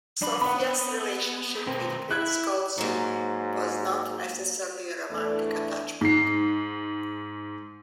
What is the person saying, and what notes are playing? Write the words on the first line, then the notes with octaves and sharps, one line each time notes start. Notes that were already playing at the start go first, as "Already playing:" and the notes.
Sophia's relationship with Prince Golitsyn was not necessarily a romantic attachment.
F#3 D4 B5
B3 F#5 B5
B2 C4 A#4
E4 F#6 G#6
G#2 F#3 A#3
E2 A2 A3 D4
G#2 C7